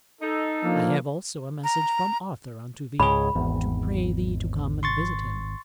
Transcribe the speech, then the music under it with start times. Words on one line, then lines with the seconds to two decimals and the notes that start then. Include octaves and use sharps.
I have also a message from Arthur unto thee, to pray thee to come and visit him.
0.21 D#4 A4
0.63 F3 A#3 D4
1.64 A#5
3.00 C#2 G#2 G#4 C#5 B5
3.35 G#1 E2
4.83 C6 C#6 A6